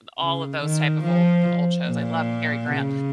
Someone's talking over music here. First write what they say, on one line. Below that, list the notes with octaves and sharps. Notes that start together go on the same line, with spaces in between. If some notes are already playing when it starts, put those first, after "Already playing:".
all of those type of old old shows. I love Cary Grant,
C#3
D#3
F3
A#2
C#3